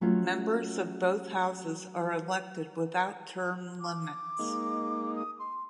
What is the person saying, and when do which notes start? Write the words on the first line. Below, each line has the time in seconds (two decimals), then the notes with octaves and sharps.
Members of both houses are elected without term limits.
0.01 F#3 A3 C#4 F4
3.80 D6
4.39 G#3 A#3 D#4
5.16 D#6
5.39 C6